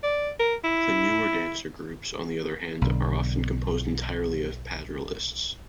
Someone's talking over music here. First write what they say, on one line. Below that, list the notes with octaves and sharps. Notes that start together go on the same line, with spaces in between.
The newer dance groups, on the other hand, are often composed entirely of plattlerists.
D5
A#4
E4
B1 D3